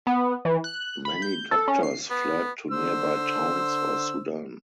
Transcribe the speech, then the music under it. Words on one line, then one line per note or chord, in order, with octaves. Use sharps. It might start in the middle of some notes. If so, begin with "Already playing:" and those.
Many doctors fled to nearby towns or Sudan.
B3
E3
F#6
B5
G6
A4
C#4
C7
B3
D3 C5 E6